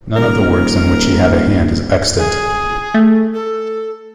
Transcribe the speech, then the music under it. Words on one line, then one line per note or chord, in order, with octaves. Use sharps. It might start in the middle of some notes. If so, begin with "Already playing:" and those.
None of the works in which he had a hand is extant.
D#1 A#4
G#4
A3
A4